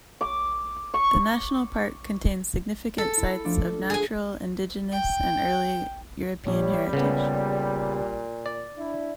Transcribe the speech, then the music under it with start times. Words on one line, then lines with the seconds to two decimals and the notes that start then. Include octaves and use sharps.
The national park contains significant sites of natural, indigenous and early European heritage.
0.21 D6
0.94 C#6
2.98 A4
3.17 E4
3.45 F3 A3 D4
3.90 G#4 G#5
4.92 G5
6.47 A#1 G3 C#5
6.93 A#2 C#3 B3
8.46 D5
8.77 D4 E4